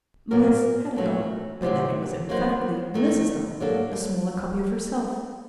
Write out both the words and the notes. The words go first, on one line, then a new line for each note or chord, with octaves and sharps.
Mliss had a doll, but then it was emphatically Mliss's doll--a smaller copy of herself.
A#2 F#3 A#3 F#4 A#4
A#2 F#3 A3
D2 C3 F#3 C4
F#3 A#3 D#4 F#4 C5
D#3 A3 D#4
F#3 A#3 D4 A4